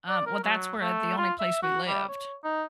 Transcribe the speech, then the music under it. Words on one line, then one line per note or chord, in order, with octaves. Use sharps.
Um, well, that's where, uh, the only place we lived.
D5
A#4
F#3
A3
F4
E5
F#4
G3
C#5
D#4